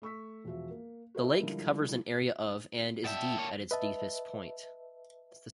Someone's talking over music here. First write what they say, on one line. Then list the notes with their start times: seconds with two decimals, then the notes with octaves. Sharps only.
The lake covers an area of and is deep at its deepest point.
0.02 A3 C#6 E6 B6
0.45 E1 F3 F#4 E5
0.70 A#3
1.15 F#4 A4 A#4 C5 D#5 E5
1.40 D3 F3 G3 G#3 E4 A#4
3.04 B2 D#5 E5 G5 A5
3.38 A#3 C#5
3.71 B4 D#5 E5 A5